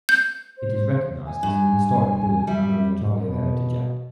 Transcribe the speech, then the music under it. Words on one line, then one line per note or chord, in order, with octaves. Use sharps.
It is recognized as an historic building under the Ontario Heritage Act.
G6
C5
G#5
G2 G#5
G3 E5
B2